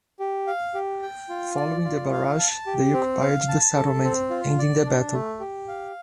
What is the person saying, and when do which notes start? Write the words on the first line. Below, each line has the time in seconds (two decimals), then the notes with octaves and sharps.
Following the barrage, they occupied the settlement, ending the battle.
0.20 G4
0.47 F5
0.74 G4
1.02 G5
1.29 F4
1.56 D5
1.85 F4
2.12 F5
2.39 A5
2.67 G4
2.93 C4
3.21 F5
3.49 A5
3.76 A4
4.04 C4
4.30 F4
4.59 D5
4.86 D4
5.13 A3
5.40 G4
5.68 F5